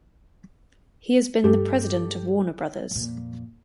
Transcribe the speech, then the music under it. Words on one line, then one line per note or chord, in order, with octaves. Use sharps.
He has been the president of Warner Bros.
G2 G4 A4
F2 A#2